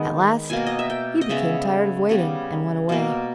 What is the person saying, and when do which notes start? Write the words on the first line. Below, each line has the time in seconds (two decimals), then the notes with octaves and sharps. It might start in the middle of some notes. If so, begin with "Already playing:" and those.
At last he became tired of waiting and went away.
Already playing: D#3 G#3 B3
0.50 B2 A#3 G#5
0.67 D#5
0.79 E5
0.90 G5
1.21 D#5
1.29 C#3 G#3 B3 E5
2.09 C#3 G3 B3
2.89 B2 A#3